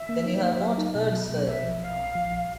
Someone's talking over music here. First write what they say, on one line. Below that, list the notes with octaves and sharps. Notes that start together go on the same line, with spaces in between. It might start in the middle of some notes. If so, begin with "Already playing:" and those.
Then you have not heard, sir?
Already playing: E5
A#3
D#4
A#3
F#3
D#4
B2
F#3
B2
A#1 E5
F3
A#1 F5
A#1
F3
A#1